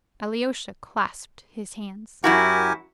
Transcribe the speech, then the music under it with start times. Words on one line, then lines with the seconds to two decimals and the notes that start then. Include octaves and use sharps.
Alyosha clasped his hands.
2.24 F#2 E4 F#4 G4 A#4 G#5